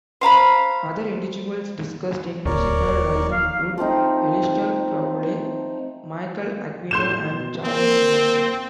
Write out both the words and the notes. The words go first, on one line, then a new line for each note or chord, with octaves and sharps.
Other individuals discussed in "Lucifer Rising" include Aleister Crowley, Michael Aquino, and Charles Manson.
C5 F5 A#5 B5
D1 D#2 A#4 C#5 D5
F5
F3 A3 C4 D#4
A2 C6 G6 E7
B2
A#3 C4